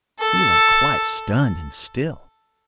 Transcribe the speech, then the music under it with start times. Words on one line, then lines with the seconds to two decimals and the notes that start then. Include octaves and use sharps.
He lay quite stunned and still.
0.20 A4